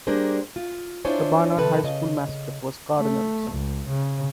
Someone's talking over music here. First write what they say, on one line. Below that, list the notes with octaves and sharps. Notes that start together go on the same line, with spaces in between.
The Barnard High School mascot was Cardinals.
G3 A#3 D4 G#4 A#4 C5
F4
D4 E4 F4 C5 C#5 G#5
C3 F3 A4 B4
C#3 D#5
A3
C#2
C#3